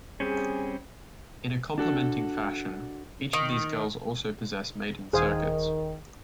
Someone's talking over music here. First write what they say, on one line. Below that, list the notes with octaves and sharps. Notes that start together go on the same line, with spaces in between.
In a complementing fashion, each of these girls also possess maiden circuits.
G3 C4 C#4 G#4
D4 F#4 A4
D#3
D#1 D#3 G#4 C5 F5